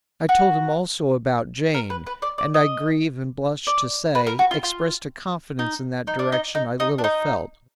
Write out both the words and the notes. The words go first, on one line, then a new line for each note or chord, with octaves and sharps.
I told him also about Jane; and, I grieve and blush to say, expressed a confidence in that direction I little felt.
F#4
A#4
B4
B4
D5
D5
D#5
D5
B4
A#4
F#4
F4
F4
D#4
D#4
D4
D#4
D#4
D#4
D4
D#4